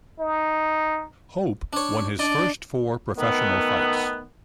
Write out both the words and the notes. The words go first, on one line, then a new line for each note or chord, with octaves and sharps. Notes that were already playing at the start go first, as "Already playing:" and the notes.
Hope won his first four professional fights.
D#4
D4 C#5
D4 D#4 D5
D#3 A3 B3